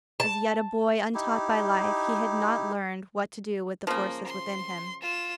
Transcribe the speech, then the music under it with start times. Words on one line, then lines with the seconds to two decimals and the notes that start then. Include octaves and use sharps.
As yet a boy untaught by life, he had not learned what to do with the forces within him.
0.20 A5
1.15 D#4 E4 G4
3.87 C#3 F3 A#3
4.26 C6
5.02 F4 E7